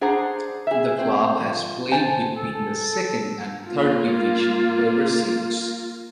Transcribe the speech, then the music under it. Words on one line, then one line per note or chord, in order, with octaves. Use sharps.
The club has played between the Second and Third Division ever since.
D4 G#4 C5 F#5 A#5
G#4 E5
C4 C5
F3
C5 G#5 A5
A4
A#3 F4